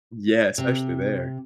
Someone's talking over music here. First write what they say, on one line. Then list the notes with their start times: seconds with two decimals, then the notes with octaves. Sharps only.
Yeah, especially there.
0.58 C3